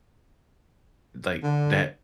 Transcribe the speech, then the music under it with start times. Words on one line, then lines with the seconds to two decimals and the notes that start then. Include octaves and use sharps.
Like, that
1.44 D3